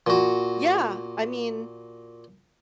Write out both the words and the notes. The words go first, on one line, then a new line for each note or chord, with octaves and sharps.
Yeah! I mean,
A#2 F#4